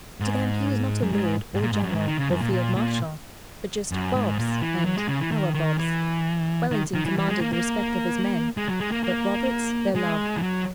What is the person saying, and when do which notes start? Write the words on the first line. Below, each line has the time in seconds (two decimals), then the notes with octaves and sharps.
To them he was not a Lord, or General, or Field Marshal, but just "Bobs" and "Our Bobs." Wellington commanded the respect of his men, but Roberts their love.
0.20 G#2
1.03 F#2
1.13 G#2
1.54 G#2
1.60 A#2
1.71 G#2
1.83 F#2
1.95 G#2
2.07 D#3
2.18 C#3
2.29 F#2
2.41 A#2
2.53 A#2
2.76 A#2
3.92 F#2
4.16 G#2
4.39 A#2
4.62 E3
4.85 F#3
4.97 G#3
5.08 C#3
5.20 E3
5.32 D#3
5.54 D#3
5.78 E3
6.71 D#3
6.94 D#3
7.06 E3
7.18 E3
7.28 G#3
7.41 A#3
7.53 A#3
8.57 G#3
8.68 F#3
8.80 G#3
8.92 A#3
9.03 A#3
9.96 G#3
10.36 E3
10.42 F#3